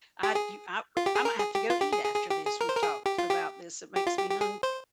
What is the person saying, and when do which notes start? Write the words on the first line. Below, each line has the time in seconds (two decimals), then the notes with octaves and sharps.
I do Ima Imma have to go eat after this, we've talked about this, it makes me hungry,
0.23 G4
0.35 G#4
0.97 F4
1.06 G4
1.15 G#4
1.25 A#4
1.40 G#4
1.55 G4
1.70 F4
1.81 G4
1.92 G#4
2.04 G#4
2.15 G#4
2.30 G4
2.46 G#4
2.61 A#4
2.69 C5
2.76 A#4
2.83 G#4
3.06 G4
3.18 F4
3.31 G4
3.96 G4
4.07 F4
4.18 G4
4.30 G4
4.41 G#4
4.63 C5